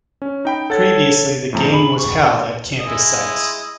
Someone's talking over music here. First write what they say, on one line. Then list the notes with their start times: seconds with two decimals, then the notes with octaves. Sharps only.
Previously the game was held at campus sites.
0.22 C#4
0.45 D#4 G5 B5
0.70 A4 C#5 F#5 A6
1.53 F2 A2 A#5
1.71 G#4 B5
1.97 C#6
2.81 G#3 E4 D#5